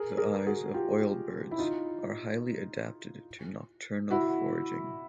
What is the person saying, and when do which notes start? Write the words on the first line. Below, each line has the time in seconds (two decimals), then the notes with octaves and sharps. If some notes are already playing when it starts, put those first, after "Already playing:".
The eyes of oilbirds are highly adapted to nocturnal foraging.
Already playing: G#4 A#4
0.18 G#4 A#4
0.46 F#4 G#4
0.74 F4 G4
1.51 E4
1.58 D#4 F4
4.10 E4 F#4